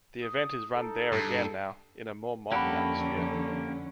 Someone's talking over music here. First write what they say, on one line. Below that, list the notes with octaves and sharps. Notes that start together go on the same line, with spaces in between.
The event is run there again now, in a more modern atmosphere.
D#6
D#4 A4
G2 A4
F2 D3 A#3 C#4 G4 A4 F#5 B5